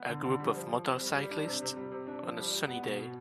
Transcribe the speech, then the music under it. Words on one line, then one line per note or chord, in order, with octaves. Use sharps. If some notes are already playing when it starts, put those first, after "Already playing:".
A group of motorcyclists on a sunny day.
Already playing: B3
D3
D3
G3
F3
F3
C4
G3
G3
D4
C3
C3
G3
C3
D4
F3
G3
G3
B3
B2
B2